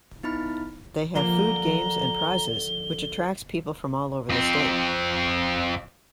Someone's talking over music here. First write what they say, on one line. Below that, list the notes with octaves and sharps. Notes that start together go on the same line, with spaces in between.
They have food, games, and prizes, which attracts people from all over the state.
B3 D#4 E4 B5 F6
D3 F3 A#3 A#5 G7
F2 C4